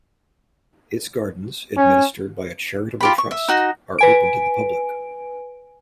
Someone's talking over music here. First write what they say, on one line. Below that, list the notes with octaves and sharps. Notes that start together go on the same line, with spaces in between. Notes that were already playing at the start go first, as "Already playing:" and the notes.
Its gardens, administered by a charitable trust, are open to the public.
C#4
F4 G4 B5
C#6
E5
D#4 F#4
B4 G#5 D7